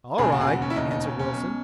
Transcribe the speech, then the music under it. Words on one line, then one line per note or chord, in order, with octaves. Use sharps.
"All right," answered Wilson.
E1 D#2 C#3 G#4
F#4
G#4
F#4
C#4
E4
E1 D#2 C#3 D#4
D#4
C#4
C#4
B1 B2